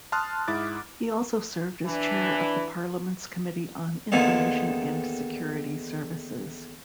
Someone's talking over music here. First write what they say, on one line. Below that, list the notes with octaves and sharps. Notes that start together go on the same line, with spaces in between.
He also served as chair of the parliament's committee on Information and Security Services.
A5 C6 D#6 F6 F#6
G#2 E4 D6 A6
E3 D4
E2 A#2 D3 D#3